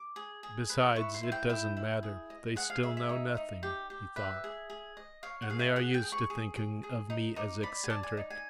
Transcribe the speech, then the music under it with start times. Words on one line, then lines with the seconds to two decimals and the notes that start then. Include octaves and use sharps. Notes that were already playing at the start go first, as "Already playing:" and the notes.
"Besides, it doesn't matter, they still know nothing," he thought, "and they are used to thinking of me as eccentric."
Already playing: D6
0.16 G#4
0.43 G#4
0.70 B4
0.96 E4 C#6
1.14 C6
1.23 E4
1.32 G5
1.49 E4 G5
1.77 E4
2.03 G#4
2.30 D#5
2.56 G#4 F#5
2.70 F5
2.83 G#4 E5
2.97 E5
3.09 D#4
3.37 D#4
3.63 G4
3.90 G4
4.16 B4 E5
4.44 G#4
4.70 G#4
4.97 D#5
5.23 C#5 F5
5.42 F#5
5.50 G#4 F5
5.59 E5
5.76 G#4 F#5
5.94 G5
6.03 G#4
6.12 C#6
6.30 G#4
6.56 G#4
6.84 G#4
7.10 D#4
7.36 D#4 D6
7.63 D5 B5
7.84 G#5
7.90 D5 A5
8.03 G#5
8.17 D#4
8.30 G#5